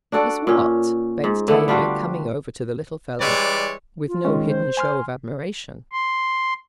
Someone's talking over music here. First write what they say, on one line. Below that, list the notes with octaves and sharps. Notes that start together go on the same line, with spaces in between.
"Is what?" begged Tavia, coming over to the little fellow, with no hidden show of admiration.
D4 F#4 A4 D5
A#2 C#4
G#2
D3 A3 B3 E4
G3 D4 F4 F#4
E3 G3 G#3 B4 C#5 D5
F4
D#3 G#3 C#4
C5
G#5 C6 F6
C6